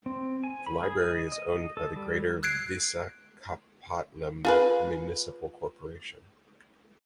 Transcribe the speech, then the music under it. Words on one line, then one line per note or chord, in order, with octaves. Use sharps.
The library is owned by the Greater Visakhapatnam Municipal Corporation.
C4
G#5
B5
G#4
D#5
D#5
A4
G3
E6 F#6 G#6 C7 D7
F4 G#4 B4